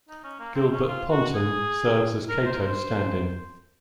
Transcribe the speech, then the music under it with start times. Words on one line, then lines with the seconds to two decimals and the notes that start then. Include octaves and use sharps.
Gilbert Ponton serves as Cato's stand in.
0.09 D#4
0.24 C#4
0.40 A#3
0.55 C4
0.71 C#4
0.87 F4
1.10 F#4
1.35 G#4
2.29 A#4
2.46 C5
2.53 A#4
2.61 C5